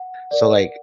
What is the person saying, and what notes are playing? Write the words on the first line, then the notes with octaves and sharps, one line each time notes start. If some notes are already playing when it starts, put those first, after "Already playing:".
so like
Already playing: F#5
A#4 D5